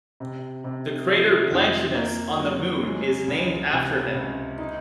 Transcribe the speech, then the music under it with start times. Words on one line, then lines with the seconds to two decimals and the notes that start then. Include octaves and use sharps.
The crater Blanchinus on the Moon is named after him.
0.20 C3
0.64 C3
1.08 F3
1.52 F2
1.95 A#3
2.40 F#3
2.83 G#3
3.28 C#2
3.72 C3
4.15 C#2
4.58 D#4